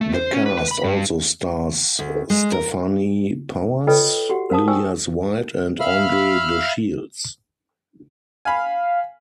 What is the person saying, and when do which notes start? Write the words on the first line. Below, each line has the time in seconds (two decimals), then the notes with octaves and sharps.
The cast also stars Stefanie Powers, Lillias White and Andre DeShields.
0.01 A3
0.14 C5
0.33 C#4
0.46 B4
0.58 B4
0.71 B5
0.84 G2
1.99 D2
2.30 G#3
2.52 A#4
3.87 F4 A4 B4 C#5 D#5 G5
4.29 F#4 G4 F#5
4.50 A#4 C5 F5 A5 D#6
4.68 C5 G5 G#5 C#6 E6
5.80 E5 F5 B5 F6
8.45 F5 G#5 B5